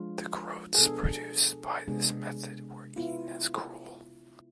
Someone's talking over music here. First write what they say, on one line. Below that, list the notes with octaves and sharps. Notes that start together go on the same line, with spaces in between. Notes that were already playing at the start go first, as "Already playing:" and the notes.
The groats produced by this method were eaten as gruel.
Already playing: F3 G#3 D4 F4
G#4
B2 B3 D4 A4
C3 G#3 B3 D4 G#4
B3 E4 F4